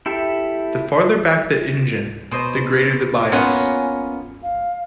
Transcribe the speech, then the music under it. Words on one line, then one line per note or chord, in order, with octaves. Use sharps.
The farther back the engine, the greater the bias.
E4 G4 A4 E5
B2 C5 D#5
A#3 B3 C#4 F4 F#5 G#5
F5